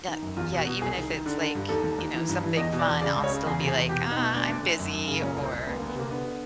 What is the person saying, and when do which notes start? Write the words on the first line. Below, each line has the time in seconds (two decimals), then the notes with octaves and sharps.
Yeah, yeah, even if it's like, you know, something fun, I'll still be like, "Uh, I'm busy," or
0.08 D#3
0.22 F#2
0.36 E2 F4
0.52 B2
0.58 F#4
0.67 B2
0.81 C2 G#4
0.96 D#3
1.10 D#3
1.26 D3
1.40 D3
1.55 G2
1.69 D#2 A4
1.83 D#2
1.98 D#2
2.14 E3
2.29 G2
2.43 E3
2.57 E2 D#5
2.73 B2
2.79 D5
2.86 E2
3.01 C#3 D5
3.16 C#2
3.24 C#5
3.30 C#3
3.45 E2 G#4
3.60 C3
3.67 G#4
3.74 E2
3.89 B2 G4
4.05 B2
4.11 D#4
4.19 B2
4.34 D2 D4
4.49 D2
4.63 D2
4.79 F#2
4.93 F#2
5.07 C#3
5.22 A#2 C#4
5.36 C2
5.44 C4
5.52 C2
5.66 D2 B3
5.77 A#3
5.80 D2
5.88 B3
5.95 C3 A#3
6.11 D3 B3
6.25 D3